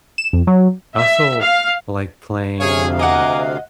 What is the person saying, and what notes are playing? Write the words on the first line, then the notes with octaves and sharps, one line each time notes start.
I also like playing, um
E7
F2
F#3
E5
F5
D2 C3 G#4 C#5 F5 G#5
D#5 F#5 G#5 A#5 D6